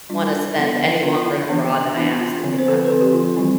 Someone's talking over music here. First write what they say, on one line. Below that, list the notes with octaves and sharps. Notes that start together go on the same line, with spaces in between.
wanna spend any longer in a bra than I absolutely have to.
G3 D4 F4
E4
D4
E4
D3 F3 B3 D4 E4
D3 F3 B3 D4 F4
E4
E3 B3 D4
E3 B3 D4 E4
F4
D3 F3 C4
C5
A4
B4
B4
D3 F3 C4 A4
G4
F4
E3 G3 C4 E4